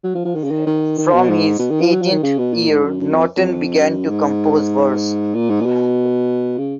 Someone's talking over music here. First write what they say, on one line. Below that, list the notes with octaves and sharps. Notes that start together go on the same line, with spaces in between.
From his eighteenth year Norton began to compose verse.
F#3
F3
F3
D#3
C#3
D#3
D#3
D#3
B2
G#2
B2
D#3
F3
F#3
F3
D#3
C#3
B2
A#2
G#2
F#2
F#2
F2
F2
F#2
G#2
A#2
G#2
A#2
B2
C#3